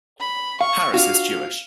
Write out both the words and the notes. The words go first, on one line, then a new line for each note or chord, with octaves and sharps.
Harris is Jewish.
B5
F5 C#6
D4 F4 F#4 F5